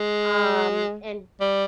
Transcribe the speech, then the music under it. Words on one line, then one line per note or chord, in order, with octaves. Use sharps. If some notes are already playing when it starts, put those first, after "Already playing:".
um, and
Already playing: G#3
G3